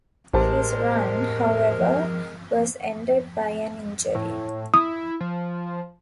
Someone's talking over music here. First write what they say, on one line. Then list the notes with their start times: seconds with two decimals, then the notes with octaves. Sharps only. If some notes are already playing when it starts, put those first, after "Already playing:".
His run, however, was ended by an injury.
0.33 A1 A2 G#3 G4 A#4 C5 A5
1.80 F3
4.15 A2
4.74 E4 D#6
5.20 F3